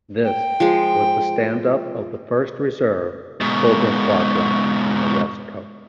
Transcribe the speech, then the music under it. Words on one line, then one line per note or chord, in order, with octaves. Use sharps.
This was the standup of the first Reserve Cobra Squadron on the west coast.
G5
F3 G#3
G#2 B2